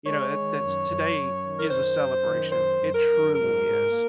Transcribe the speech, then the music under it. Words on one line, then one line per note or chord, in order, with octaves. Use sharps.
you know, that that's today is a celebration, it truly is.
G#3 C#5
D#3
F#2
F#2
F#2
D#3
A#4
F#2 C5
F#2
D#3
F#2 C5
F#2
A#4
F#2
G#2 A#4
G#2
A#3